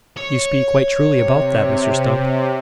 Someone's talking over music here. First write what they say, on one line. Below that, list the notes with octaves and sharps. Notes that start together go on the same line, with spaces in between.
You speak quite truly about that, Mr Stump.
C#5
C3